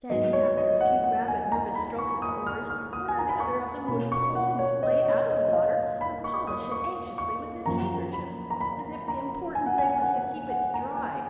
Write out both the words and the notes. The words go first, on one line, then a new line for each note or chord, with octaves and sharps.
Then, after a few, rapid, nervous strokes at the oars, one or the other of them would pull his blade out of the water and polish it anxiously with his handkerchief, as if the important thing was to keep it dry.
G#2 F#3 B3 D#5
C#5
D#5
F#5
F#5
G#5
A#5
B5
C#6
D#6
F6
F6
D#6
G#5
A#5
B5
C#6
B2 A#3 C#4 B5
C#6
F#5
C#5
D#5
C#5
D#5
D#5
F5
B5
C#6
D#6
C#6
C#6
F#2 F3 A#3 A#5
B5
A#5
B5
A#5
G#5
F#5
G#5
F#5
F#5
A#5
G#5